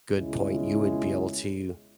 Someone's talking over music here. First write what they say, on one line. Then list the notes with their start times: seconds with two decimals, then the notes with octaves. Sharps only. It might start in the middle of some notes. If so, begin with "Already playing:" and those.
good point, you would be able to
0.11 C#2 B2 G#3 C#4 E4